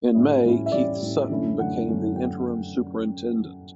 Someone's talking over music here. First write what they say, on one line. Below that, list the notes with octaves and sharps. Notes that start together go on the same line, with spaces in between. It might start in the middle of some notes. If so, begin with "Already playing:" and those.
In May Keith Sutton became the interim superintendent.
A2 G3 C#4 E4
A2 G3 C#4 E4
E5
A2 G3 C#4 E4 D5
A2 G3 C#4 E4
F#2 D3 A3 C#4 E4
F#2 D3 A3 C#4 E4 F#5
F#2 D3 A3 C#4 E4
G5